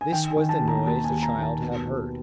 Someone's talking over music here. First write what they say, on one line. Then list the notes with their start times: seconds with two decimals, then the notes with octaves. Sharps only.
This was the noise the child had heard.
0.01 G#5
0.12 D#3 G5
0.31 G#5
0.36 D#3
0.49 A5
0.61 D#2
0.68 A#5
0.86 D#2 A5
1.04 G#5
1.11 D#2
1.23 A#5
1.35 D#2
1.42 A5
1.61 B2
1.85 B2